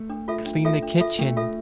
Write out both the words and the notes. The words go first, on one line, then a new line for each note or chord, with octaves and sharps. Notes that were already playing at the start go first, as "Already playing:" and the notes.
Clean the kitchen.
Already playing: A3
D4
F4 A4 E5
D4
F4 A4 E5
D4
F4 A4 E5
A3 D4
F4 A4 E5